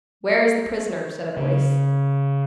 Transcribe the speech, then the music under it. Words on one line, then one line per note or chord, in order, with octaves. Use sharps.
"Where is the prisoner?" said a voice.
C#3